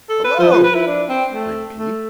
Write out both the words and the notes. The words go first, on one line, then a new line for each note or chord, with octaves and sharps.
"Hello!" greeted he.
A4
B4
F3 C5
B4
B4
E4
D4
C4
A3
A3